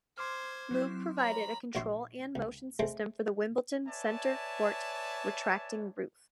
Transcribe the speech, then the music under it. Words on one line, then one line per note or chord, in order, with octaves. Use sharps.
Moog provided a control and motion system for the Wimbledon Centre Court retracting roof.
C5 C6 D6 F6 G#6
F#3 C4 E4
C#5 A#5 B5 B6
A#1 F#3 E4 C#5 C6
C#2
G#3 A3 C4 C5
B4 C#5 D5 E5 G#5 A5